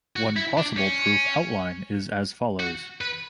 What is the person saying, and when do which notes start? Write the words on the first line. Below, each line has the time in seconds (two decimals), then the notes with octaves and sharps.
One possible proof outline is as follows.
0.16 F#4
0.36 E4
0.57 D4
0.77 C#4
2.60 F#4
3.01 B4